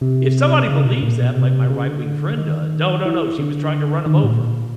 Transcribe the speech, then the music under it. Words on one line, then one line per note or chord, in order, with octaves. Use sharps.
if somebody believes that like my right wing friend does "No, no, no, she was trying to run 'em over."
C3
C#3
B2
A#2
B2
C3
C#3
D3
D#3
E3
D3
D#3
D3
A2
A#2